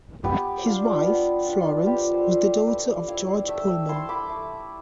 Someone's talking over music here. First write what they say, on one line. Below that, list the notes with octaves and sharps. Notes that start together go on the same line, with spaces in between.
His wife, Florence, was the daughter of George Pullman.
B3 G4 B4
D4 F4
B3
D4 F4
F3 G4 B4
D5
A4 C5
C4 E4
C5 E5
F3 B4 D5
C4 E4 D5 F5
A3 E5 G5
E4 A5 C6
B5 D6
A3